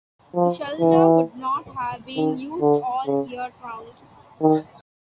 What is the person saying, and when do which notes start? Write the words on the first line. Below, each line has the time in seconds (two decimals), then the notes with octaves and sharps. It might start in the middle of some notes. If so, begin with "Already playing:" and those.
The shelter would not have been used all year round.
0.36 F3
0.80 E3
2.16 D#3
2.61 D3
3.06 C#3
4.41 D#3